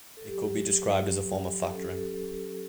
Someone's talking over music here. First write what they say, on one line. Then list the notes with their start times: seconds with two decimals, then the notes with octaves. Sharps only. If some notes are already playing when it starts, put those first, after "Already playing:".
It could be described as a form of factoring.
0.17 A4
0.27 F#3 G4
0.45 F#3
0.63 F#3
0.82 F#3
0.99 F#3
1.17 F#3
1.36 F#3
1.53 F#3
1.71 C#4 A4
1.82 G4
1.89 F#3 A4